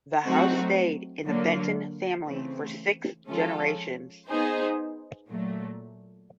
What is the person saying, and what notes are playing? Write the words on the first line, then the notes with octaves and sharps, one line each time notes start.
The house stayed in the Benton family for six generations.
F#3 A3 C4 D#4 F#4
D3 F#3 A#3
C#3 E3 A3 C4
F3 G#3 C#4 F4 A4
B3 D#4 G#4 C5
A#2 F#3 A3